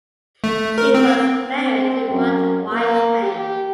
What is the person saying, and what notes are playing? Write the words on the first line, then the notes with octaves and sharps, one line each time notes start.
She was married to Rod Wiseman.
A3
A#4
C4
C4
F#2
A#3
G4